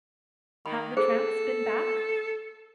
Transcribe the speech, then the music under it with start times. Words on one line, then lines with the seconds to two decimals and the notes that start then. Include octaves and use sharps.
Have the tramps been back?
0.66 D#3 B5
0.97 G#4 A4 C5